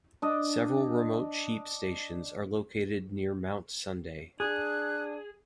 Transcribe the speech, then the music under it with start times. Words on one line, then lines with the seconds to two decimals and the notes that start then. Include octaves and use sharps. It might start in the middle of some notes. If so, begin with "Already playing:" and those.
Several remote sheep stations are located near Mount Sunday.
0.22 D4 D#5
4.40 D4 G#4 F#6